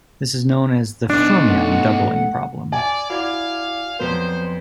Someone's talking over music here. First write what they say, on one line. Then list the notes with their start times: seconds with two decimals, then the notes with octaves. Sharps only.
This is known as the fermion doubling problem.
1.10 B2 D4 D#4
1.49 A3 F#5
2.72 D5 G#5
3.10 E4 F#4 D5 F5 D6 G#6
3.99 F2 F#3 B3 C5